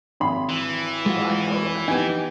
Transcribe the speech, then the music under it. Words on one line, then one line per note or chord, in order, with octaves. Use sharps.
So, I know how to
G#1 B5 C6
E3
G#3 F4 F#4
B3 D#4 G4 G#5